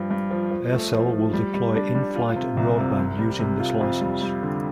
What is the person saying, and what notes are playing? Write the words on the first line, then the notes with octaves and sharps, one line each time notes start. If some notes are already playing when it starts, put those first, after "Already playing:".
Aircell will deploy in-flight broadband using this license.
Already playing: G2 F3
G2
F3
F3
A3
F3
F3
G3
G3
D4
G3
F4
C3
C2
C3
C2
G3
C3
F4
F2
G3
G3
D3